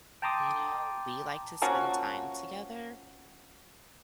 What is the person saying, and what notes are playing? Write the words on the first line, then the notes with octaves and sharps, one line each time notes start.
you know, we like to spend time together,
G5 A5 A#5 C6 D6 D#6
F3 A#3 C#4 F#4